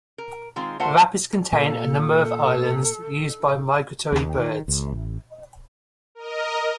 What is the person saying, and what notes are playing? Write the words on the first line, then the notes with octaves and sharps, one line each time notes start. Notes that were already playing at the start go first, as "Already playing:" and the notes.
The rapids contain a number of islands used by migratory birds.
A#4
D#3 G#3 C4 F4
A3 F4 A#4 C5 E5 F#5
A#2 A#3 A4
D#2
D#3
C#2
A1
A#4 D#5